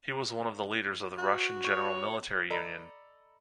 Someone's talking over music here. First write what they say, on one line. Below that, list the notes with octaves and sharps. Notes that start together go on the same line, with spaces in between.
He was one of the leaders of the Russian General Military Union.
F#4
C#5
A4 D5 D#5 A#5 B5